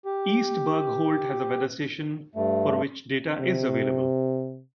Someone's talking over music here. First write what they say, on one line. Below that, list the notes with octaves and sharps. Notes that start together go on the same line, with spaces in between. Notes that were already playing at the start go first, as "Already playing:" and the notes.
East Bergholt has a weather station for which data is available.
G4
G2 A3
C3